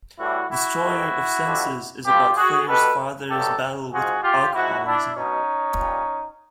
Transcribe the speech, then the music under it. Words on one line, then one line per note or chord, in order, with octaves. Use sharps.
"Destroyer of Senses" is about Fair's father's battle with alcoholism.
A2 E3 G3 E4 F#4
E4 F#4
F2 C3 D#3
F2 D3 G3
G2 D3 G3 F4 G4
F#4 G#4
B2 G3 A4 B4
G2 D#3 F#3 G4 A4
G#2 F3 F#4 G#4
F4 G4
G#2 F3 E4 F#4
D4 E4
B2 F#3 C#4 D#4
A#2 G3